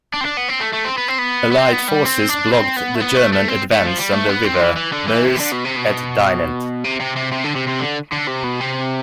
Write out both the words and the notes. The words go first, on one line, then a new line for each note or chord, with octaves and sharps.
Allied forces blocked the German advance on the river Meuse at Dinant.
D4
C4
D4
B3
C4
A3
A3
C4
B3
C4
B3
B3
C4
B3
G3
C4
D4
C4
B3
A3
B3
A3
A3
C4
A3
F3
G3
A3
B3
C4
F3
E3
E3
D3
E3
C3
E3
D3
B2
C3
B2
C3
C3
C3
C3
D3
C3
C3
D3
D3
C3
B2
C3